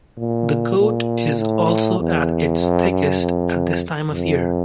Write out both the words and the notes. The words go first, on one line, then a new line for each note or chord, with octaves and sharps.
The coat is also at its thickest at this time of year.
A#2
A#2
A2
E2
F2
F#2
F2
F2